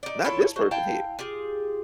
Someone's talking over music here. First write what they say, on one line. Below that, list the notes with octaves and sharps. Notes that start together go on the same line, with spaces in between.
Not this person here.
D#4 D5
E4 F4 A4 C#5
F#4 C5
E4 F5 G5 A5
F4 G4 G#4